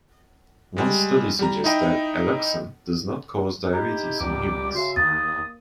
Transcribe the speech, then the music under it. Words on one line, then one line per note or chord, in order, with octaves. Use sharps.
One study suggests that alloxan does not cause diabetes in humans.
G3 G#3
G3 A#5
D#4 E4 D#5 G5
D#4 E4 G4 A#5
C#2 G3 G4 D6
C#3 F#4 E5 C6
D#2 A#3 D#6 A6